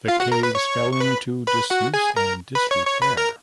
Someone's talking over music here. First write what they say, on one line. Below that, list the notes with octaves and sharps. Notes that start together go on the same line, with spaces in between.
The caves fell into disuse and disrepair.
F4 F5
F#4 F#5
A#4 A#5
B4 B5
C#5 C#6
C#6
B4 B5
B4 B5
F#4 F#5
G#4 G#5
A#4 A#5
B4 B5
C#5 C#6
C#5 C#6
B4 B5
A#4 A#5